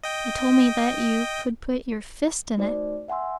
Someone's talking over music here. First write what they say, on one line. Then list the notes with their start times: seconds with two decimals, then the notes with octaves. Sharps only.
They told me that you could put your fist in it.
0.03 D#5 G5
2.57 A3 D#4 F#4 C5 D5
3.08 E5 F#5 G#5 C6 E6